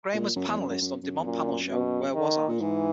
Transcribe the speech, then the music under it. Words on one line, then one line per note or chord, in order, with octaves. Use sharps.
Graham was a panelist on the DuMont panel show Where Was I?
A#2
F#2
E2
F#2
F#2
F#2
F#2
E2
F#2 A#2
B2
D#3
A#2
G#2 E3